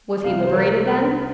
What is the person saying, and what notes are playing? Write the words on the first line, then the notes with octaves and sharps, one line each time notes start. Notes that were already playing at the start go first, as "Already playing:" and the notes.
"Was he liberated, then?"
C2 C3 F3 C4 F5
C5
A#4
A#4